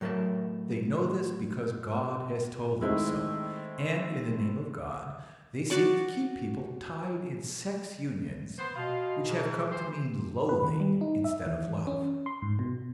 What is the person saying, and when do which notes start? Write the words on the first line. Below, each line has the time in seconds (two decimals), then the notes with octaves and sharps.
They know this because God has told them so, and in the name of God they seek to keep people tied in sex unions which have come to mean loathing instead of love.
0.01 A2 F#3 A#4 E5 A5
2.81 D#3 G#3 A3 C4 E4
5.70 F#4 D5 C#6
8.58 B3 C5
8.76 B2 F4 D#5 F5
9.29 G#2
9.72 E3 G4 C5
10.49 B4
10.63 D#3
10.80 G3
11.01 D#4
11.24 E5
11.46 E3
11.87 C#4
12.26 C6
12.42 G#2
12.59 B2